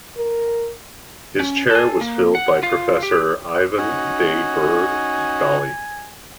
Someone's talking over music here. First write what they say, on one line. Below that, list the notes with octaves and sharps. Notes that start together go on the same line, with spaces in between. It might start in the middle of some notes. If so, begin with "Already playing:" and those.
His chair was filled by Professor Ivan De Burgh Daly.
A#4
C#4
A4 G#5
A#3
F#5
F4 F5
G4
C#4 D#4 F#4 G#5